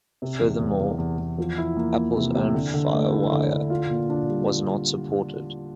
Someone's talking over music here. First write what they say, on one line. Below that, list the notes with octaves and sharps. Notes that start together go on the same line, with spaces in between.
Furthermore, Apple's own FireWire was not supported.
C3
E2
E2
E2
E2
E2
F3
E4
A#3
A#3
C3
C3
D3
D3
A3
E4
D3
D3
F4
A#2
D4
G3